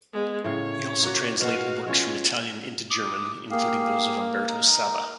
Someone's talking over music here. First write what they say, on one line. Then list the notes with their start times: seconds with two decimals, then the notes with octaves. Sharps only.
He also translated works from Italian into German, including those of Umberto Saba.
0.14 G#3 B3
0.44 A2 C#3 C#5 F5
1.03 A#3 F#4
1.40 B2 G#3 F#4 F5
1.87 G#3 C#4 F4 C#5
2.90 D6 D#6
3.50 A#3 G4 G#4 F5
4.48 D#4 A#4